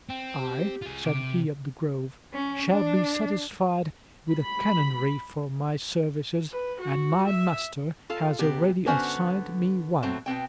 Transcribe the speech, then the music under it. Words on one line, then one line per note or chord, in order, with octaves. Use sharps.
"I," said he of the Grove, "shall be satisfied with a canonry for my services, and my master has already assigned me one."
C4 G5
G4
F4 G#4
C3 D6
C#4
D4
B5
B4
F#4
E5
F4 A4 F5
C3 B3 G4
D3 B3 C#4 F#4 C5 F#5
B2 F#3 A3 C4
B2 B3 C4 G5